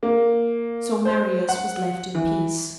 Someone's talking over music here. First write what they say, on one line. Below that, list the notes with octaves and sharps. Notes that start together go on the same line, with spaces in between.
So Marius was left in peace.
A#3
C5
F#5
E3